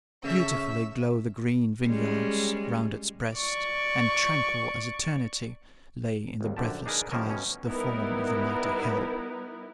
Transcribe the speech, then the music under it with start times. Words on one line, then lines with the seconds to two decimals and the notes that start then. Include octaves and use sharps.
Beautifully glowed the green vineyards round its breast, and tranquil as eternity lay in the breathless skies the form of the mighty hill.
0.24 C#3 A3 C#4 E5 E6
1.87 G3 G#3 C#4
3.37 D5 C#6
6.41 G#1 D#2
6.57 A#1 F#2 D3 G4 A5
6.86 D4 D#4 G#4 A#4 B4
7.11 D#3 F3 G3 A#3 C#4 A#4
7.27 B2 A3 C#4
7.65 G3 B3 D#4 E4 A#4 B4